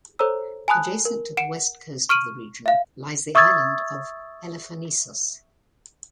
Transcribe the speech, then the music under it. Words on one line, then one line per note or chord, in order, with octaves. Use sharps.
Adjacent to the west coast of the region lies the island of Elafonisos.
A4 C5 C#5 A#5 E6
G#5 A5 B5 D#6 F#6
A#4
F#5 C#7 D7 E7
C#6 F6 D7 D#7 F#7
E5 F5
E5 C#6 D#6 E6 G#6 A6